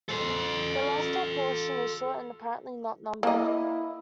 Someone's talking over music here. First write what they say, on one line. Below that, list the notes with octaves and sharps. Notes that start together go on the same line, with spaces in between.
The Alaska portion is short and apparently not numbered.
A4 C5
A#3 E4 D#5